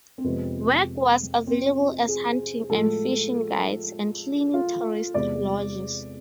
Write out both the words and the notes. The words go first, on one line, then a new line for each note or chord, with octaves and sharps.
Work was available as hunting and fishing guides and cleaning tourist lodges.
C4
F2 C3 G#3 B3
C4
G#4
A2 F3 G#3 A4
F4
E2 C3 G#3 D5